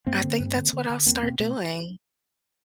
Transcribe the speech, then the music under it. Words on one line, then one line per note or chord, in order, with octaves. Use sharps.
I think that's what I'll start doing.
G2 A#3 C4
D3
G2
D3
D3
D3
E2 A#3 C4
B2 A#3 C4
B2 A3 B3